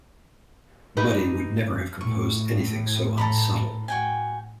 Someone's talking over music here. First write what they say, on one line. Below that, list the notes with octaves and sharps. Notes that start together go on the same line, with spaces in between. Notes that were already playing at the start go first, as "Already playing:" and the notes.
Muddy would never have composed anything so unsubtle.
D#4 G4 B4
A2 C#6
A4 A#5 B5
F#4 G5 G#5